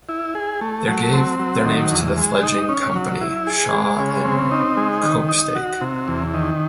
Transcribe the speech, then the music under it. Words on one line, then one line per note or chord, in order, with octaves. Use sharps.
They gave their names to the fledgling company - Shaw and Copestake.
E4
G#4
A3
F#3
C4
F#3
D#3
E2
G#3
D#4
C#4
F#3
E4
G#4
G#3
C#3
C4
D#4
G#3
D#3
D#4
F#4
C3
E2
D#3